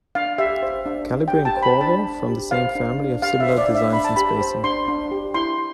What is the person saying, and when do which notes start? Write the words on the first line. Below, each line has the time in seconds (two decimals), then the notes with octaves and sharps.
Calibri and Corbel, from the same family, have similar designs and spacing.
0.15 D4 F5
0.38 G4 E5
0.63 C5
0.86 D4
1.10 D4
1.28 G5
1.33 G4
1.45 A5
1.57 C5
1.63 B5
1.81 D4 A5
2.04 D4
2.28 G4
2.51 C5 F5
2.75 D4
2.98 D4
3.22 G4 F5
3.40 E5
3.46 C5
3.58 D5
3.69 D4
3.75 E5
3.93 D4 B5
4.04 A5
4.16 G4 B5
4.41 C5
4.64 D4 C6
4.88 D4
5.11 G4
5.34 E4 C6